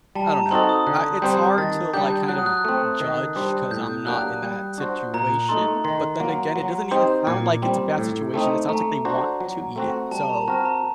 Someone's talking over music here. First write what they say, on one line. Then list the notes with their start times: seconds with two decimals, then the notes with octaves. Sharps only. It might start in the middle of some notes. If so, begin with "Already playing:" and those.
I don't know. I It's hard to, like, kind of judge 'cause I'm not in that situation, but then again, it doesn't even sound like it's a bad situation; it sounds like they want to eat it so,
0.15 G3 A5
0.33 A#5
0.51 C4 D#4 F#4 A4 C6
0.69 D#6
0.87 D3 F#6
1.22 G3 C4 G4 C5 G6
1.58 D#3 A6
1.94 G3 D4 G4 G6
2.28 F#3 F#6
2.38 D#6
2.46 F#6
2.65 A3 C4
3.00 D#3
3.36 G3 D4 G4 C5
3.71 A2 G6
4.07 F#3 A#3 D4 G4 F#6
4.42 G3
4.78 D4 F#4 C5
5.14 A#2 A#5
5.49 A3 D#4 A4 C6
5.84 D#3 C6
6.20 F#3 A#3
6.56 F#3
6.91 C4 D#4 G4 C5
7.27 A#2 D6
7.62 G3 C4
7.98 A2
8.34 A3 C4 D#4
8.69 A3 A#5
9.05 D4 F#4 C5
9.40 F#3
9.76 A3 C4 F#4
10.11 G3 A5
10.29 A#5
10.48 C4 F#4 A#4 A5
10.65 A#5